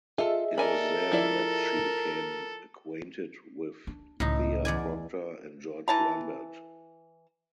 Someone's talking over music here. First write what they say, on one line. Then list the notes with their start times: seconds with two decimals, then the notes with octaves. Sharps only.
It was there that she became acquainted with Thea Proctor and George Lambert.
0.18 F4 G#4 A4 D#5 E5
0.58 A4 A#4 D5 G#5 B5
1.11 F3 E4 D5
3.87 D4
4.20 C#2 A2 D#3 D#4
4.65 E2 D5 G#5
5.88 E3 A5 A#5